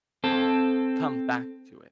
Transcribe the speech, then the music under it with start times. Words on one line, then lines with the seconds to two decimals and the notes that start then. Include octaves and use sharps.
come back to it,
0.24 C4 A4